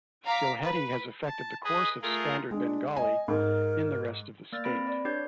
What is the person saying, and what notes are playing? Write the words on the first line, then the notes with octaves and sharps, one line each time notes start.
Sylheti has affected the course of Standard Bengali in the rest of the state.
F5 A#5 D6 B6
B4
A5
G#4 B4 D#5
A3 F4 G#4 A#4
G#3 D4
D#5 G#5
G#2 A#4
A#3 D5 F6 A6
C4 B4 B5 A#6 D7
D5
D4 G4 B4 C#5 G6 G#6